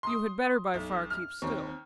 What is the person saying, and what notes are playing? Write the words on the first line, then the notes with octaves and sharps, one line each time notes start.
You had better by far keep still.
C6 D#6
B1
F6
D#2 C4 C#6